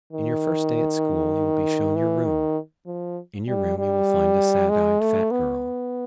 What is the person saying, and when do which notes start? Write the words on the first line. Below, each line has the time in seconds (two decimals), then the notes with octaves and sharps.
In your first day at school you will be shown your room; in your room you will find a sad-eyed fat girl.
0.12 D#3
1.95 E3
2.26 D#3
2.86 F3
3.48 G3
3.78 G3
4.69 G#3
5.00 A3
5.31 B3